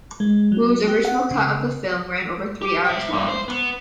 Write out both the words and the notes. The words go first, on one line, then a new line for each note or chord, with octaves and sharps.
Woo's original cut of the film ran over three hours long.
G#3
F#3
G4
F#5
C#3
G4
E5 G5
G2 E5
C5
B3